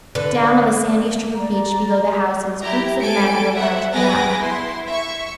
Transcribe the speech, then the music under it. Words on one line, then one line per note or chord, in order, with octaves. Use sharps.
Down on the sandy strip of beach below the houses groups of men were lounging about.
D3 B4
D5 A#5
E4 G4 A#5
A4 G#5 D7
C5 E5 F#5
B3 G#4 B4 G#5 D6 A#6
E4 C6
E5 C#6